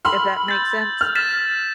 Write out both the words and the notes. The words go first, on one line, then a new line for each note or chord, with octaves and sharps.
if that makes sense.
B5 C6 E6 F6 F#7
G6 A6
F6
A6 B6 E7